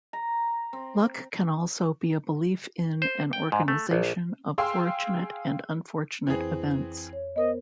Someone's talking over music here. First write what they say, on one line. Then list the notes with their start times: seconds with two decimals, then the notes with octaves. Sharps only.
Luck can also be a belief in an organization of fortunate and unfortunate events.
0.13 A#5
0.73 C4
3.02 C5
3.33 G5
3.52 G#2
3.68 A3
3.91 A#1
4.58 G#4 F5 G5 C6 E6
6.27 F2 E3 C4 G#4
7.13 C#5
7.36 B3 A#4 C5 D#5